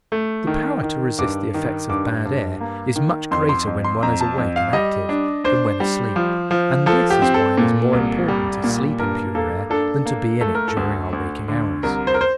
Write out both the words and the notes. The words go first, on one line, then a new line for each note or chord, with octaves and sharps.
The power to resist the effects of bad air is much greater when one is awake and active than when asleep, and this is why it is more important to sleep in pure air than to be in it during our waking hours.
A3
D#3
D#3
G2 D6
D#3
G2 D6
G2
A#3
D#3
F2 C6
C6
F2
C6
F2 A#5
A5
F2
F5
G3 D#5
D4
D4 C5
G3
F3
F3
F3 A4
G4
C4
A4
A#2
C2
G3
A#2
G2 A#4
A#3 A4
D4 A4
A#3
A3 A4
A#4
A4
D2
D2
D3
C2 A#4
C5
A#4
C5